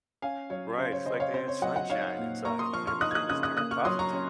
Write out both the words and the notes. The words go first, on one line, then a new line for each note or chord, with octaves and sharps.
Right, it's like they had sunshine inside 'em and everything has turned positive.
C#4 F5 G#5
F#3 C#5
C#3 C5
C#5
C#3 C5 D#5
C#5 F5
C4 C5
C#5
F#3 D#5 F#5
D#5 F#5
D#4 C#5 F5
A#2
A#3 A#5 C#6
C6 D#6
F3 C#6 F6
C#6 F6
D#4 D#6 F#6
G#6
D#6 F#6
C#3 D#6 F#6
D#6 F#6
A#3 D#6 F#6
C#6 F6
F#3 C6 D#6
A#5 C#6
C#4